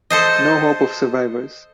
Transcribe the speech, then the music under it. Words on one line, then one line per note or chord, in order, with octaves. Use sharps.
No hope of survivors.
A4 C5 D#5